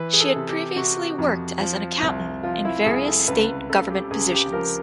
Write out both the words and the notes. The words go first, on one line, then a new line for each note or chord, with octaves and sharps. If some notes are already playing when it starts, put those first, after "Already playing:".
She had previously worked as an accountant in various state government positions.
Already playing: E3 B4
G#4
A4
C3
G4
C3 F#4
F2
F3
C2
F3 F4
E4
C2 G#4
A4
C#2 B4
C#3 A4
G4
C#2 G#4
G4
F3 A#4